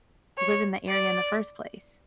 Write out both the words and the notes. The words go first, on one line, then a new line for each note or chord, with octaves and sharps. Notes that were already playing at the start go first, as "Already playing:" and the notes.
live in the area in the first place?
C#5
D5